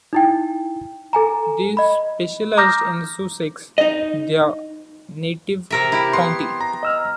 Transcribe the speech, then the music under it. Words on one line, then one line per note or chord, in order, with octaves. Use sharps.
They specialised in Sussex, their native county.
D#4 E4 G5
A4 G#5 A#5
D#5 B5
A#5 D6 D#6 F6 G6 A#6
D#4 D#5
C3 A#4 E5
E4 G4
B3 C6
A#5
D#5 E6 F6